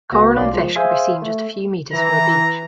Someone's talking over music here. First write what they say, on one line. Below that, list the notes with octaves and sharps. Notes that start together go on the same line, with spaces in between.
Coral and fish can be seen just a few metres from the beach.
C#2 A#3 B3 F#4 A#4 A#6
B1 B2 A#3 C#4 D5 C6
F3 G#3
G#4 C5 E5 F5 G#5
A3
E3 A#5